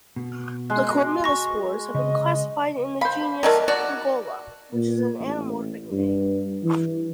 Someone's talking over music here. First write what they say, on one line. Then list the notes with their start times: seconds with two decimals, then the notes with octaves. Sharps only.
The chlamydospores have been classified in the genus "Ugola", which is an anamorphic name.
0.16 B2
0.70 G#3
0.90 F#4 D#5
1.24 C#6 A#6
1.95 C#3 D#5
3.01 C5 F5 B5
3.43 D#3 F#3 A3 A#4 D5
3.68 F#4 D5
4.73 A#2
5.20 A1
5.92 G2
6.64 E3